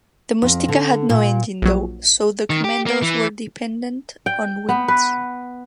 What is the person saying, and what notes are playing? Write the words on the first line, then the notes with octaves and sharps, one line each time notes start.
The "Mustika" had no engine though so the commandoes were dependent on winds.
F2
D3
A#2
A#1 F#3
D#3
G4
A#3
E3
G5
B3
B4